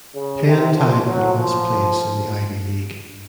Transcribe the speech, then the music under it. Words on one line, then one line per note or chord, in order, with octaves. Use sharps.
Penn tied for last place in the Ivy League.
C#3
C3
F3
F#3
F3